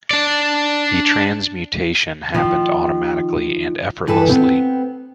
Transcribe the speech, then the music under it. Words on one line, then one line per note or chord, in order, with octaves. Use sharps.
The transmutation happened automatically and effortlessly.
D4 D5
D#3 F3
G2 E3 A4 B4
B3 C4